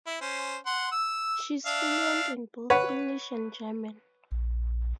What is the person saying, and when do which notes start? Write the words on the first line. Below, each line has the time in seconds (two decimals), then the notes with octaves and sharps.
She is fluent in both English and German.
0.07 E4
0.21 C#4 C5
0.66 F#5 C6
0.92 E6
1.66 D4 E5 F5
2.70 B4 C#5 F#5
4.32 A#1